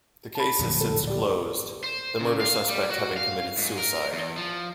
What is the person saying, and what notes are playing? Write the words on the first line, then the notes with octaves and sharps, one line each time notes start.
The case has since closed, the murder suspect having committed suicide.
A5 B5
D1 A#1 F#2
A4
G4 D5
C5
C#3
F5
G3
F#4
F5
G#2
A#4
E2
F3